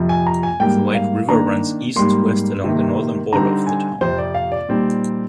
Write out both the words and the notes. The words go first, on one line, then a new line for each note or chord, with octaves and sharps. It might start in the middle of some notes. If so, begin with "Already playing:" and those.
The White River runs East to West along the northern border of the Town.
Already playing: F2 C3 F3
G#5
A#5
G#5
G#2 G3 A#3 G5
F5
D#3 A#3 D4 A#5
G#2 G3 A#3 C6
C3 D#3 A#3
D3 G3 C4 D#4 A#5
G#5
F2 C3 F3 C5
D5
F5
D5
A#2 G3 C4 D#4